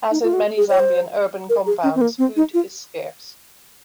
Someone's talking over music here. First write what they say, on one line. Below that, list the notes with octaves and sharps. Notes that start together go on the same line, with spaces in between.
As in many Zambian Urban Compounds, food is scarce.
D#4
F4
F#4
G#4
C#5
C5
A#4
G#4
C#4
C4
A#3
C4
D#4
F4